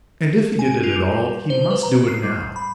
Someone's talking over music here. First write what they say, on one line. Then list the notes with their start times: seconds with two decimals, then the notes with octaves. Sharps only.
And if he did it at all, he must do it now.
0.59 G#5
0.83 F4
0.96 G3
1.50 C5
1.71 B4
1.83 A#5
2.08 C7
2.23 G3
2.56 B5